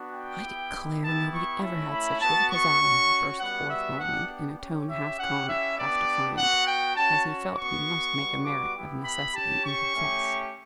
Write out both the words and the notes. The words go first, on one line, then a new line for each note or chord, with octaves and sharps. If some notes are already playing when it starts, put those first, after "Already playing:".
"I declare nobody ever had such luck as I," burst forth Roland, in a tone half comic, half defiant, as he felt he must make a merit of necessity, and confess.
Already playing: B3 D4 F#4
G5
B3 E4 G4
B3 E4 G4 A5
C#6
A3 C#4 E4
B5
B3 F#4 A5
C#6
C#4 F#4
G3 B3 F#4 F#5
E5
B3 D4 G4 F#5
C#4 G4
E5
C#4 E4 G4 F#5
E5
B3 D4 G4 D5
B3 F#4 F#5
G5
C#4 F#4 A5
B3 F#4 C#6
G3 B3 F#4
D6
B3 E4 G4
B5
C#4 G4 A5
C#6
A3 C#4 G4